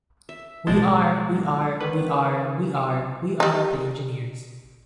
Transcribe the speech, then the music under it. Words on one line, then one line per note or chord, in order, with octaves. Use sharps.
We are, we are, we are, we are, we are the Engineers!
E5
A1 B2 G#3 C5 D5 A5
D#3 B4
G3 D#4